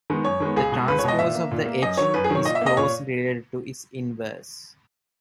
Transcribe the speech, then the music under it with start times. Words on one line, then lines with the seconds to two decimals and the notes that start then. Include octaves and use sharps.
The transpose of "H" is closely related to its inverse.
0.10 D#3 G#3 B3
0.25 F#2 C#5
0.40 D#3 G#3 B3
0.56 C#2 G#4
0.72 B2 G#3
0.88 C#2 B4
0.99 C#5
1.04 B2 G#3 D#5
1.19 A#2 E5
1.35 A#3
1.51 A#2
1.66 A#3
1.82 F#2 D#5
1.97 D#3 F#3 C#5
2.14 F#2 B4
2.24 G#4
2.30 D#3 F#3 C#5
2.45 A#2 D#5
2.55 E5
2.61 A#3 D#5
2.77 A#2 C#5